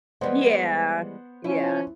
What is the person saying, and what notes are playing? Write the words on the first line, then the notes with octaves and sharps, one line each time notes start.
Yeah. Yeah.
E3 G3 G#3 B3 C5 F#5
F3 C#4 E4